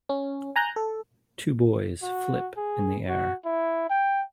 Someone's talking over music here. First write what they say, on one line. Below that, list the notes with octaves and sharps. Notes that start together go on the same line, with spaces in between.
Two boys flip in the air.
C#4
G#5 A#5 F#6 G6
A4
F#4
G#4
F#4
E4
G5